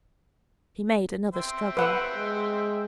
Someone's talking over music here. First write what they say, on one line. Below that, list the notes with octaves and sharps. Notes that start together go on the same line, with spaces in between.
He made another struggle.
C5 E5 G5
B4 F#5 E6
G#3